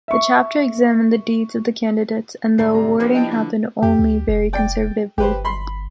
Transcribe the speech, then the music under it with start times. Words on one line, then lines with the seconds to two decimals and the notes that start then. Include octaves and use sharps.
The chapter examined the deeds of the candidates and the awarding happened only very conservatively.
0.08 E5 C#6
2.58 D2 G#2 G#3 D5 C7
2.74 C3 A#5
3.00 F3 A#3 C4 D4 G4 B4
3.14 E4 D#5 G5 A5
3.31 D3
3.83 F2 G4
3.99 D2
4.28 F1
4.53 D5 G5
5.18 G1 G4 B4 C5
5.45 B5 C6